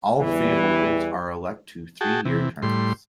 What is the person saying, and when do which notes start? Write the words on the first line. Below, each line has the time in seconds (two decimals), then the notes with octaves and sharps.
All freeholders are elected to three-year terms.
0.20 E2 E3 G3
2.01 F#4 G#4 G5 A5
2.25 C3 E3
2.62 A2 G3 C6